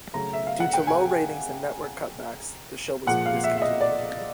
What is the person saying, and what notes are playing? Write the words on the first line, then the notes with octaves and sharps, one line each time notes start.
Due to low ratings and network cutbacks, the show was discontinued.
C#3 F#3 A3 A#5
E5
F5
F#5
G5
G#5
A#2 F3 G#3 F#5
F5
E5
E5
D#5
D5